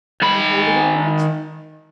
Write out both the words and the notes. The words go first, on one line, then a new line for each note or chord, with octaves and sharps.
"Can you hold it all right?"
D#3 B5